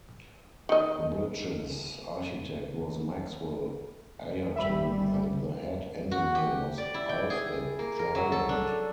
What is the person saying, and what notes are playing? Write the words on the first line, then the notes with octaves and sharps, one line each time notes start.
The bridge's architect was Maxwell Ayrton and the head engineer was Alfred Dryland.
D#3 D#5
G1 G3 E5 B5
F#4
G4
D5
E4
G5
G#4
A#3
A#4
F#3
A4
D4